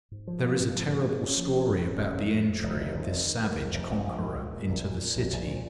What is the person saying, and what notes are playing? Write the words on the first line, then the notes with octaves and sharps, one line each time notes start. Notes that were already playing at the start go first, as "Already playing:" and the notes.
There is a terrible story about the entry of this savage conqueror into the city.
G#2
F3
A#3
G#2
F3
A#3
A#3
C#4
F3
C#4
G#2
C#4
F1
F2
F2
F2
F1
D#3
F1
D#3
D#3
D#3
F2
F1
A#1
A#1
G#3
A#2
A#2
A#1
A#2
A#2
A#1
A#1
A#2